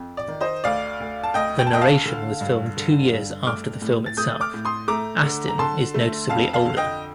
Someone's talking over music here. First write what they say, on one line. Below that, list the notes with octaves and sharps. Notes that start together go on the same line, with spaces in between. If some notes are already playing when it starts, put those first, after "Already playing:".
The narration was filmed two years after the film itself; Astin is noticeably older.
Already playing: F2
D5
D#3
C5 D#5
D2 D5 F5
D2
A5
D2 D#5 G5
G5
A5
D2 D#5 G5
F5 A5
D3
G2
D3
G2
A3 D6 F6
A2
A6
A3 D#6 G6
D6 F6
A2
C6 D#6
A3 A#5 D6
D3
A#5
D3 A5 C6
A3
F2 F5 A5
F5 A5
D3
D#5 G5